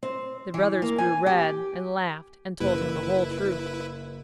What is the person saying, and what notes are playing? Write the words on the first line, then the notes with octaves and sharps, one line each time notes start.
The brothers grew red, and laughed, and told him the whole truth.
C4
E3
A#3
G#5
G4
F#1 E4 B4